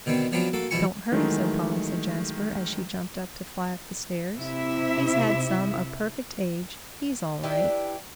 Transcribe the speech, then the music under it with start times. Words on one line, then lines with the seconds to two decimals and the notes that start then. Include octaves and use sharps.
"Don't hurry so, Polly," said Jasper, as she jumped up to fly up-stairs. "He's had some a perfect age--he's all right."
0.06 B2 D3 D#3 B3 C4
0.32 F3 F#3 B3 C4 D4 F4
0.53 A#3 F#4 A4
0.71 E2 B2 F3 E4 G#5 C#6
1.12 D#3 E3 F#3 G#3 A3
4.37 C3 E4 E5
7.43 D4 E4 G4 B4